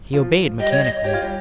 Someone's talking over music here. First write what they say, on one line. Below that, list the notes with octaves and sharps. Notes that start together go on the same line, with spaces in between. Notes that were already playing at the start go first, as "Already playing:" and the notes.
He obeyed mechanically.
F3 F4
G3 G4 D#5
C#5
D#5
G4 C#5
F4
G3 G4